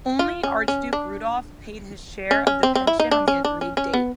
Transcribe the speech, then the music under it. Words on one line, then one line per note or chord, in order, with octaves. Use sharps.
Only Archduke Rudolph paid his share of the pension on the agreed date.
F4
C#4
C#4
D4
C#4
C#4
C4
C4
E4
D#4
D4
C#4
D4
C#4
C#4
B3